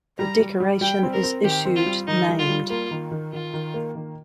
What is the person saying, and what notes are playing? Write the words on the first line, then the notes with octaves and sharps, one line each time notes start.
The decoration is issued named.
G3 A#5
G3
G3
G3 G5
C4
A#4
C4
D#3 G4
C4
F4
G3
D#3 D#4
G3
F4
G3
A#3 F4
D#3
D#3
D#3 F4
D#3
A#3
D#3